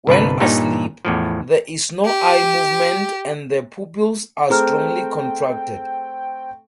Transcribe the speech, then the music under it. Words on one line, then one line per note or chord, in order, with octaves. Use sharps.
When asleep, there is no eye movement and the pupils are strongly contracted.
G1 C2 D4 B4
G2 A#2 D#4 C#5
E2 A2 F3
G4
A3 C4 G#4 G5 A#5 F6